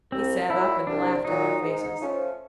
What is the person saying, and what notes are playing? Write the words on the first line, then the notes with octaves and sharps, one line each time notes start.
He sat up and laughed in their faces.
C2 C4
A#2 F#3 E4
C2 D4
A#2 F#3 D#4
G#2
F3 A3 C#4